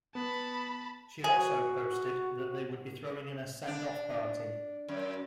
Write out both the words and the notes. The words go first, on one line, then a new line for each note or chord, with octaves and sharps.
She also posted that they would be throwing him a send-off party.
B3 A5 B5
F#4 G#4
D4
F#2